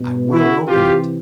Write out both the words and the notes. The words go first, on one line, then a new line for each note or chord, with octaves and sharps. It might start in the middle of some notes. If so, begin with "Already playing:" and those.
I will open it!
Already playing: B2
E4 F#4
C3 E3 F4 G4